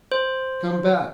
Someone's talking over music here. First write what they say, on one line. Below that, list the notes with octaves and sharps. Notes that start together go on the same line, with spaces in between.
Come back!
C5